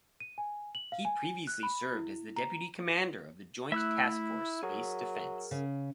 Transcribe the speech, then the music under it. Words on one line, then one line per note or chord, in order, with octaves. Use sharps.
He previously served as the deputy commander of the Joint Task Force–Space Defense.
D#7
G#5
F#7
F5
G#5
F#6
B5
E4
A#5
A3 E4 E5 E6 F#6
F#3 G#4 A#4
C#3